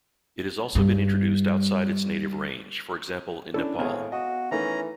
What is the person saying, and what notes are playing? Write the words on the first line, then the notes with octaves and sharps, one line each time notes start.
It has also been introduced outside its native range, for example in Nepal.
G2 G3
C#4 D4 E4 A4
G#1 A2 B3 C4 G#4 F5 G#5
F#4 D#5
D#3 E3 A3 C#4 A#5